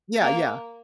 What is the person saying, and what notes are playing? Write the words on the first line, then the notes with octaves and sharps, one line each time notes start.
Yeah, yeah,
A#3